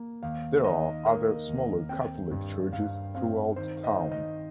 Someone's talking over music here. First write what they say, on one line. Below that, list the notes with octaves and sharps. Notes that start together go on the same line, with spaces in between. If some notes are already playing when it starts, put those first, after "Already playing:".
There are other smaller Catholic churches throughout town.
Already playing: A#3
D#2 F5
D#3 D#5
A#3 A#4
D#2
C4 G5
G2
G2 F5
C4 F5
D#3 C5
D#5
D#3
D#5